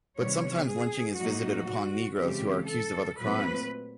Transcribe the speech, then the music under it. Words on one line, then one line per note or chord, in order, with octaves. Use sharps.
But sometimes lynching is visited upon negroes who are accused of other crimes.
C3 D#3 G3 B3 C#5
G#4
A2 F#3 A#3 D#4 F#4
C#3 E3 G#3 C4 G4
A4
A#2 F#3 A3 C4 B4